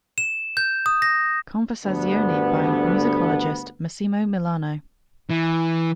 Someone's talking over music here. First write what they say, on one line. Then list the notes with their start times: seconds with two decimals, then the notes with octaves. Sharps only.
Conversazioni by musicologist Massimo Milano.
0.18 E7
0.57 G6
0.86 D#6
1.02 A#6
1.85 D2 G2 D3 B3
5.30 E3